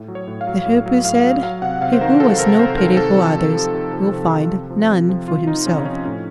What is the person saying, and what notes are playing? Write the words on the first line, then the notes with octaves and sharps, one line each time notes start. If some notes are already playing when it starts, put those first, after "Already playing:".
The Hoopoe said, "He who has no pity for others will find none for himself."
Already playing: A2
F#3
C#5
A2
F5
F#3
A2
F#3
A2 F5
F#3
F#3 F5
C3 F#5
C3 F5
C5
D#3 A#4
F#3 A4
C3 A#4
C3 C5
D#3 A#4
C3 A4
F3
C3
F3
C3
F3
C3
F3
C3
F3
C3
F3
C3 F4
F3 D#4
C3 C#4
F3 C#4
A2 C#4